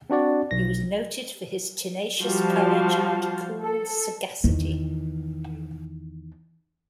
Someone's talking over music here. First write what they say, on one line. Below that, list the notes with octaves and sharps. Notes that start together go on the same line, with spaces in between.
He was noted for his tenacious courage and cool sagacity.
C4 D4 F#4 D5
B1 A#6
F3 G3 F#4 C5 F5 A5
A4
E2 D#3